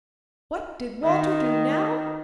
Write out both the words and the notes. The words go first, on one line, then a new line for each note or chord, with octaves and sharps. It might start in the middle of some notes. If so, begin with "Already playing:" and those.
What did Walter do now?
D#3